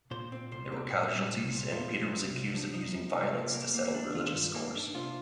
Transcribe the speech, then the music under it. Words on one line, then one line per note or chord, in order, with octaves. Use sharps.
There were casualties and Peter was accused of using violence to settle religious scores.
A#2 C5
C4
C2 C5
C4
A#2
G3
C2
A#2
F3 F4
C3
C2
C2
F3 D4
F3 D#4
F3
C3 D#4
A#3 F4
A#3
A#3
D4
D#3 F4
G2
A#3 D#4
D4
C3 F4